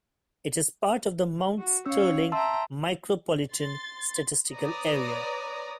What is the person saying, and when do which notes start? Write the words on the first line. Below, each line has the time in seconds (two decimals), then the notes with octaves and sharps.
It is part of the Mount Sterling Micropolitan Statistical Area.
1.57 F#4
1.86 C#4 C#5 F5 E6
2.32 E5 G5 A5 A#5 C6 E6
3.52 C6 A6
4.54 B4 C#5 D5 A#5 D#6 A#6